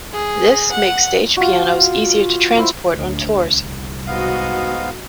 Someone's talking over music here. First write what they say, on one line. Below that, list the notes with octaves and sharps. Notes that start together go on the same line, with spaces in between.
This makes stage pianos easier to transport on tours.
G#4
F#5
F4 F#4
E4 C5
D2
C2
G#2 B3 F#4 D#5 F5